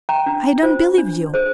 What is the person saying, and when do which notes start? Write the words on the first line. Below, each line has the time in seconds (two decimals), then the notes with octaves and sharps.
I don't believe you!
0.09 G5 A#5
0.26 D4
0.62 F4 C5
0.98 D4
1.34 G#4 C5